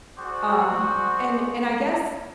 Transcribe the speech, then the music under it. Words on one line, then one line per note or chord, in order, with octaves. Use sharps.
Um, and and I guess
F#4 G#4 C5 D5 F#5